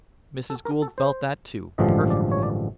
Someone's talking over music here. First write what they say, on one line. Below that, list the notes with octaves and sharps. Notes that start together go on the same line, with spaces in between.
Mrs. Gould felt that, too, perfectly.
A4
A#4
A4
C5
A1 G2 D3 F3 G#3 D#5
D5
C#5
D5